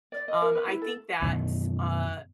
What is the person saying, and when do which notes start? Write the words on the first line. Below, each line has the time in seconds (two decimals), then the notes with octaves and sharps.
Um, I think that's uh,
0.12 D5
0.28 D#5
0.42 A#4
0.55 B4
0.67 E4
0.82 A4
1.22 F#2 B2 D#3 E3